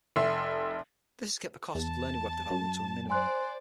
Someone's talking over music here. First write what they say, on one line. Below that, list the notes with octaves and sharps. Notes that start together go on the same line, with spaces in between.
This has kept the cost of learning web development to a minimum.
F1 E5 C6
E2 A5
F#2
C5 D5 G#5 C6 F#6